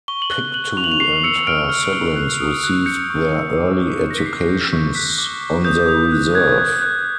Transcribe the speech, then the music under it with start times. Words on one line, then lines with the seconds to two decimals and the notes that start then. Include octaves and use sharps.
Pictou and her siblings received their early educations on the reserve.
0.08 C#6 G7
0.22 F#7
0.30 F#6 G7
0.54 F#6 F#7
0.77 C#6 F7
0.84 F#7
0.92 F7
1.00 C#6 C7
1.23 E6 C#7
1.39 C#7
1.47 F6 D7
1.70 F6
1.93 F6
2.16 F#6
2.40 D#6
2.64 F#6
2.86 G6 C#7
3.10 C#6
3.33 E6
3.57 D6
3.79 D6
4.02 F6
4.10 A#6
4.18 B6
4.26 C#6 C7
4.49 G6
4.73 C#6
4.95 F#6 B6
5.18 D6
5.41 D6
5.65 D#6 G6
5.88 D#6
6.12 F#6
6.34 F#6 G#6
6.58 F#6
6.82 F#6